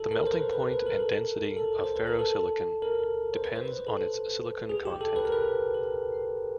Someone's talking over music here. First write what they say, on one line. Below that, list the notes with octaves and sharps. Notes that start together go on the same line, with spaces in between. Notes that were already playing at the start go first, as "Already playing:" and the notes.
The melting point and density of ferrosilicon depends on its silicon content.
Already playing: A4
A#4
C5
B4
B4
B4
A#4
A4
A#4
A#4
A4
C5
B4
A#4
A4
A#4
C5
B4
C5
B4
A4
G#4
G4
A4
B4
A#4
B4
A#4